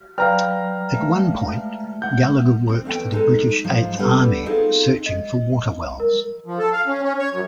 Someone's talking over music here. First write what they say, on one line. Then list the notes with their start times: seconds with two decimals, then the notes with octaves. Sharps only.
At one point, Gallagher worked for the British Eighth Army searching for water wells.
0.18 F#3 B4 D5 F5 G5 A#5 F6
0.93 G#3 A3 E5
2.02 F#5 G6
2.69 C4
2.85 E2 A3 F5 G5
3.12 G#3 D#4 A4
3.64 G#2 F3 F#3
3.98 G3 A3 B3 D4
4.46 C4 D#4 F4 G#4 A4
5.06 D#5
6.00 A#4
6.46 F3
6.59 A4
6.73 F5
6.87 C#4
7.03 C#4
7.19 C#5
7.32 F#2